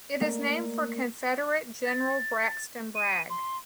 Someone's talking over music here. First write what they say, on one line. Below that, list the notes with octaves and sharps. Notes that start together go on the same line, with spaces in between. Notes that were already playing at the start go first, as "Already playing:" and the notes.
It is named for Confederate General Braxton Bragg.
A3 A#3 A#4 D5 D#5
A6
D#7
C6